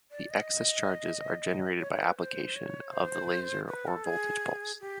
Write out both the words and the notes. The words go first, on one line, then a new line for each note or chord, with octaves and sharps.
The excess charges are generated by application of the laser or voltage pulse.
D5
D#5
C#5
C#5
A#4
B4
C5
C#5
C5
B4
A4
G#4
G4